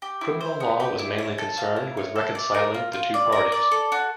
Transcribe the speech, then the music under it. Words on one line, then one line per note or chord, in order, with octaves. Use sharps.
Criminal law was mainly concerned with reconciling the two parties.
G4
E4
C5
B3
G4
E4
C#5
A4
F5
E4
C#5
A4
D5
A#4
F4
F4
D5
A#4
D5
A4
F#4